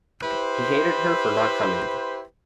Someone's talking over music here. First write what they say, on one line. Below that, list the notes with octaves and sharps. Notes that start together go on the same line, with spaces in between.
He hated her for not coming.
E4 G4 B4 C5